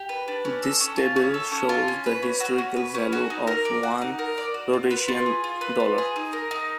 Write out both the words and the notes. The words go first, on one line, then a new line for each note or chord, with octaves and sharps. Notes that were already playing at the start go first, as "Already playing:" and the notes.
This table shows the historical value of one Rhodesian dollar.
Already playing: G4
B4
D4
C#4
A4
C#4
F4
C#4
A4
C#4
F4
C#4
B4
C#4
F#4
C#4
B4
C#4
F#4
D#4
A#4
D5
F#4
D#4
A#4
D5
F#4
F4
B4
F4
G#4
F4
B4
F4
G#4
D#4
A#4
D#4